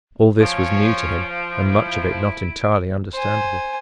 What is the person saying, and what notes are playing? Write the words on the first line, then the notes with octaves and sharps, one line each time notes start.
All this was new to him and much of it not entirely understandable.
F3 C#4 C#5 D7
E4
C5 G#5